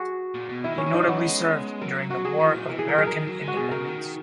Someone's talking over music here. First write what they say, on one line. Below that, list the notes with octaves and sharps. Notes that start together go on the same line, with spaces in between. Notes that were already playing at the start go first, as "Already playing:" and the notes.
He notably served during the War of American Independence.
Already playing: F#4 G#4
A#2
B2
D#3 E4
C#4
D#3
E3 D#4
F#3 B3
G#3
F#3 A#4
F#3 F#4
F#3 G#4
E3
A#2
E3 A#4
G#4
A#4
F#3 G#4
A#4
D#3
F#3
G#3
F#4
B2 G#4
C#3 A#4
D#3